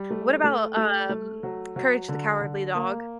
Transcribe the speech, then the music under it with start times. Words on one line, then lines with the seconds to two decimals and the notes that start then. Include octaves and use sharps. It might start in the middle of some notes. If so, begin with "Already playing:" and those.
What about, um, Courage the Cowardly Dog?
Already playing: G3
0.10 A3
0.44 A3
0.77 A3
1.09 A3
1.43 F#3
1.76 F#3
2.08 D3
2.41 D3
2.75 A#3